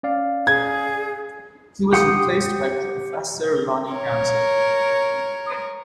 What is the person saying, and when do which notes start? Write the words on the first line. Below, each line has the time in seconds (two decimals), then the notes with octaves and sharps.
He was replaced by Prof. Roni Gamzo.
0.03 C#4 D5 F5
0.47 G#4 G#6
1.93 G4 F#5 C6 D#6
3.92 A#4 C#5